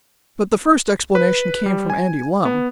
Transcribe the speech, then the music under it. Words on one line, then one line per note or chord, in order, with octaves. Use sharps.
But the first explanation came from Andy Lumm.
B4
G3
G#5
B3